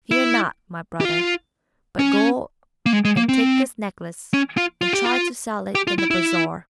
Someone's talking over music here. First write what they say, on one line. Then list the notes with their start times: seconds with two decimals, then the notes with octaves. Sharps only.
"Fear not, my brother, but go and take this necklace, and try to sell it in the bazaar."
0.11 E4
1.01 G4
1.05 F4
1.99 C#4
2.86 A#3
2.93 G#3
3.05 G#3
3.17 A#3
3.29 C4
4.34 C#4
4.57 F4
4.81 F4
4.93 G4
5.05 F4
5.75 G4
5.87 F4
5.99 E4
6.11 E4